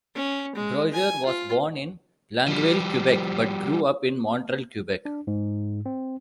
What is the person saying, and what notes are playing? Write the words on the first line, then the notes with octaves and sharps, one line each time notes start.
Brodeur was born in Longueuil, Quebec, but grew up in Montreal, Quebec.
C#4
G#3
G#5
F4
F3 G3
D4
G#2
C4